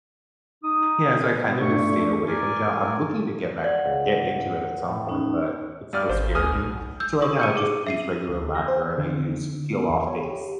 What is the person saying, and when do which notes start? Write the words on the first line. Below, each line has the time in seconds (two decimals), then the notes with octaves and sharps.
yeah. So I kind of stayed away from gel. I'm looking to get back get into it at some point, but it still scares me. So right now, I just use regular lacquer, and I use peel off base.
0.63 D#4 D#6
1.41 B3
1.61 G2 A3 D4 E5 C#6
2.27 A#4 D5 G#5
3.64 D5 F#5
3.86 C#2
4.89 A2
5.09 C#4 D#4
5.93 G2 D5 F6
6.09 G#1 C5
6.35 D2 G#5 D#6 F6
6.52 B1
7.00 E6 G6
7.22 C#6 D#6
7.39 G6 C#7 D#7
7.56 G#4 D6
7.87 E5 C7 D#7
8.29 D2
8.55 A#6
8.68 C5
8.98 D3
9.19 D3
9.73 B3
9.90 E2
10.07 C#5
10.24 G4